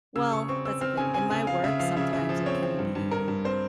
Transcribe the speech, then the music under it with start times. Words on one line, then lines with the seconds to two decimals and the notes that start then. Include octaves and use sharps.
well, that's the thing, in my work, sometimes it can be
0.16 C#3 E6
0.32 C#3 C#6
0.48 C4 C#6
0.65 C4 E6
0.81 C4 F6
0.97 C#3 G#5
1.14 C4 G#5
1.30 C#3 G#5
1.47 C#3 F5
1.64 C#3 E5
1.80 F3 F5
1.97 C#3 E5
2.13 C#3 E5
2.29 F3
2.46 C4 C#5
2.63 C4
2.79 G2
2.95 G2
3.11 G2 A#4
3.28 G2
3.45 C4 C5